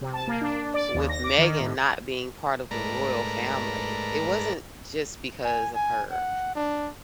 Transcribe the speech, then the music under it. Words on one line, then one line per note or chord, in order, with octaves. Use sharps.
with Meghan not being part of the royal family, it wasn't just because of her,
C3
A5
A#3
D4
D5
D#2
A#6
D6
D#3
A2
G#2 A3 A#4 B4 D5 A#5
G#5
G#5
F#5
D4